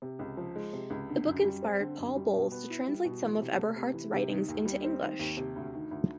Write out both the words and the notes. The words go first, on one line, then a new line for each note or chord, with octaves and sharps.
The book inspired Paul Bowles to translate some of Eberhardt's writings into English.
C3
C#2
F3
G#3
C3
C#2
D3
F#2
G3
C4
D3
F#2
G3
B2
B3
E4
G3
B2
E3
C3
A3
C3
E3
C3
D#3
D#2
G3
C4
D#3
D#2
C3
D2
D#3
D2